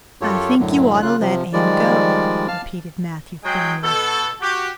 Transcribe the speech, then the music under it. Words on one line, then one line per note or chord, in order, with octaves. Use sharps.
"I think you ought to let Anne go," repeated Matthew firmly.
F#2 F4 G4 A4 C#5
F#2 A2 D3 F#3
C#3 F4 F#6
C3 F3
D#3 F3 G3 G#3 D5
F5 A5 F6
F#3 G#3 G5
B2 A4
F#4 G4